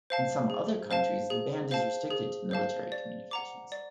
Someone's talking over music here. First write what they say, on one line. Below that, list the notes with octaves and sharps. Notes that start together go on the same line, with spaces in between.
In some other countries, the band is restricted to military communications.
C5 F5 A5
G#4
C5 F5 A5
G#4
C5 F5 A5
G#4
C5 F5 A5
D5
F#5 A#5 D6
D5